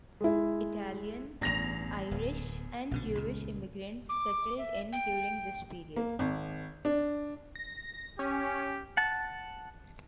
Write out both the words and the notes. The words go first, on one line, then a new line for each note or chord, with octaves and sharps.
Italian, Irish and Jewish immigrants settled in during this period.
G#3 E4
A1 E2 G2 A#6 F7
D1
A#1 B2 D3
C#2 A#2
D6
E5
G5
A#3
G#1
D4
A#6
C#4 G4
F#5 A5